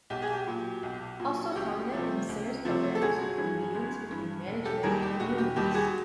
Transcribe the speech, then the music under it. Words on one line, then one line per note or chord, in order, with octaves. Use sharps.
Also prominent in the center's programs have been meetings between management and unions.
B1 G4
G#4
G4
A#2 F#3
B1
A#2 F#3
F#4
C#2 G4
C3 F3 A3
C#2
C3 F3 A3
A4
G1 F#4 G#4
G2 E3
G1
G2 E3
E1
G4 A4
D#2 D#3 G3 G#4 A#4
G4
E1 F#4
G4
D#2 D#3 G3 G4
F#4 G#4